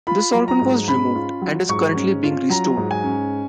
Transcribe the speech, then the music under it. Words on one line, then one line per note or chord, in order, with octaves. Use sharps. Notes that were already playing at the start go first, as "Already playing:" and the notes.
This organ was removed and is currently being restored.
F4 B5
F#3
A#5
G#2
C#4 B5
F4
F#3
G#2 C#6
C#4
F4
F#3 A#5
G#2
G#5
C#4